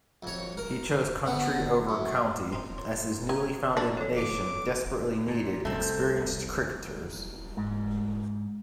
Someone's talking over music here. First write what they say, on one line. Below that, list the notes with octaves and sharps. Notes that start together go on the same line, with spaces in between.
He chose country over county, as his newly founded nation desperately needed experienced cricketers.
F2 C#5
A#4
D3 B3
F#2
C4 D#4 C6
C#5
G4 A#5 G#6
G#3 D4 C#5 D5
F2 A4 C#5
A2 D3 F3 D6
A#2
C2 A3 C4
G#2